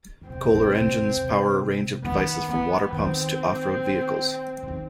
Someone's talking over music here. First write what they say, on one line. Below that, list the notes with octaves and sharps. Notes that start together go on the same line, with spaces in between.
Kohler engines power a range of devices from water pumps to off-road vehicles.
D#3
C3 C4
C3
B2
C3
C3
C3
D#3 B3
E3 B3
D#3 C4
C3
D#3